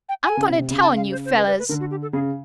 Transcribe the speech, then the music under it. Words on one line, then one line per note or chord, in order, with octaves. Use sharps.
"I'm going to tell on you fellows!"
G5
G#5
C#3
C3
C3
C#3
A5
F5
C5
C5
B4
B4
B4
D3 A#4
F#4
G4
A4
C#3 G#4